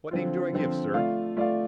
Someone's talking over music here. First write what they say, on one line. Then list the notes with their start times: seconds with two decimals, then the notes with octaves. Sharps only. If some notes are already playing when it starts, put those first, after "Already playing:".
"What name do I give, sir?"
0.11 D3 F3 C4 F4
0.53 D3 F3 C4 F4
0.94 A3 F4 D5 F5
1.37 A3 F4 D5 F5